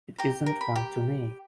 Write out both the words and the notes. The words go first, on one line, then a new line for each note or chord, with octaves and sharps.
It isn’t one to me.
G4 A#5
A#4
B5
G4